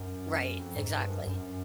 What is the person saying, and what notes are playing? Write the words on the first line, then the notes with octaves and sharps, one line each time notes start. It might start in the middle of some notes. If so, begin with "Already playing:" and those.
Right, exactly.
Already playing: F#2
F2
G#2
G2
F#2
F#2